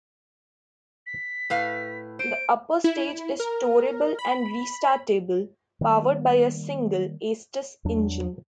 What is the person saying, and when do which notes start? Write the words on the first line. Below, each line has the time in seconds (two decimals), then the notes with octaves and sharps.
The upper stage is storable and restartable, powered by a single Aestus engine.
1.06 B6
1.50 A2 B4 F5
2.19 C5 D7
2.84 E4
3.40 A#4
4.19 B5
5.81 D#3 G3 A#3
7.85 E2 F#3 D4